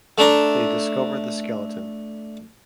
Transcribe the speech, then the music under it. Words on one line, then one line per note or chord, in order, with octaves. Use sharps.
They discover the skeleton.
A3 D4 A#5